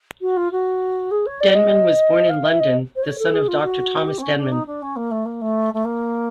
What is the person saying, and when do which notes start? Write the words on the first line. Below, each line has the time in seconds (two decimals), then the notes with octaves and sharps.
Denman was born in London, the son of Doctor Thomas Denman.
0.21 F#4
0.37 F4
0.52 F#4
1.11 G#4
1.26 C#5
1.41 D5
1.55 D#5
2.29 F5
2.44 E5
2.60 D#5
2.96 C5
3.03 C#5
3.19 A4
3.33 G#4
3.48 F4
3.62 F#4
4.07 G4
4.18 C4
4.22 C#4
4.38 D4
4.52 D#4
4.66 D4
4.82 C#4
4.96 A#3
5.11 A3
5.25 A#3
5.41 A3
5.74 A3
5.85 A#3